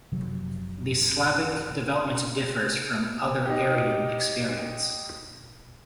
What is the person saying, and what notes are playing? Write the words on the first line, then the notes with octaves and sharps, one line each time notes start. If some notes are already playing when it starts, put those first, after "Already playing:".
The Slavic development differs from other Aryan experience.
F#1 C3 F3 F#3
D#4 G4